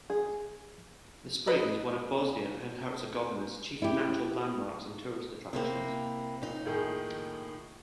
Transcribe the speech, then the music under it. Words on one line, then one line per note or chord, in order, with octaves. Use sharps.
The spring is one of Bosnia and Herzegovina's chief natural landmarks and tourist attractions.
G#4
B4 D#5
E4 G4
C3 A#3 C4 E4
A#2 D#4
A2 D#3 G#4